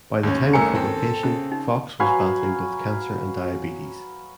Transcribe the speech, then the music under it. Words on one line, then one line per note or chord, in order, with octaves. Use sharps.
By the time of publication, Fox was battling both cancer and diabetes.
D#2 C#4
C2 A3 A#4 G#5 A#5 C#7
C4 A4
C#3
D#4
F#3 B4 F5 G#5